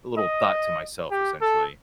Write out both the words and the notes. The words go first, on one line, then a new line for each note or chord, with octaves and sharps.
a little thought to myself, essentially.
D#5
G4
A4